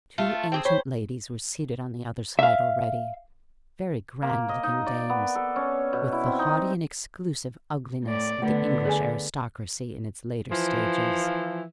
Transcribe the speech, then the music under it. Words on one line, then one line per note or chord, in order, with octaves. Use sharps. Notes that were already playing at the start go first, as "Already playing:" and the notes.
Two ancient ladies were seated on the other side already--very grand-looking dames, with the haughty and exclusive ugliness of the English aristocracy in its later stages.
A3 F4
C4 G4 G#4
C5 C#5 B5
E5 F5
A#3
D#5
D#4
D5
B3
A4
C#4
B2
E4
C4
D#4
A2 D5
D3 A3 B3
G#4 D5 G#5
E3 F3